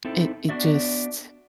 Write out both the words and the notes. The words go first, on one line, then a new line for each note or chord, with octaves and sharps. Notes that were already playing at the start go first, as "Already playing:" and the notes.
it it just
C4 D#4 E4 A4
B3 D4 F#4 D5 E5